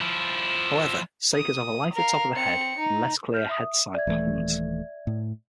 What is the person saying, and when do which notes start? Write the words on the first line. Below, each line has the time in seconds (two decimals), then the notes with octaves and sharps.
However, sakers have a lighter top of the head and less clear head-side patterns.
0.01 F3 E4
1.34 D#6
1.93 A#4 F5
2.34 C4 C#7
2.78 D#4
3.34 F6 G6
3.49 E5 D#6
3.94 D5 E5 G#6
4.07 D#1 E3 A3
5.07 A2